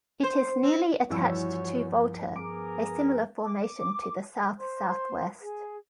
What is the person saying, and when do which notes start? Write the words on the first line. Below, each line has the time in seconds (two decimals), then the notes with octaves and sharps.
It is nearly attached to Volta, a similar formation to the south-southwest.
0.23 C5
0.63 C4
1.10 E2 G2 F3 F#4 C#5 E6
2.36 B3 G#4 A#4 D6 D7
3.45 D6
4.58 C5 C6
5.41 G#4